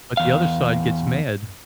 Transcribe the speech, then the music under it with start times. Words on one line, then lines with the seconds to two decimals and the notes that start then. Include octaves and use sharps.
But, the other side gets mad.
0.17 E2 F5